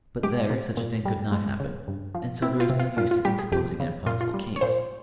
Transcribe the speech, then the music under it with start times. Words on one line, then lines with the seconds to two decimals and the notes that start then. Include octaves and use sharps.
But there such a thing could not happen, and so there is no use in supposing an impossible case.
0.23 G#3 G4
0.50 C3
0.77 A#2
1.05 G3
1.32 G#3
1.60 C#3
1.88 G2
2.15 F3
2.42 C4 E4
2.60 F4
2.70 C3
2.80 F4
2.97 A#2 F4
3.11 F4
3.25 G3 G4
3.39 G#4
3.52 F2 G4
3.80 C#3
4.06 A#2 F4
4.21 F4
4.34 G3
4.56 C#5
4.61 A#2 C5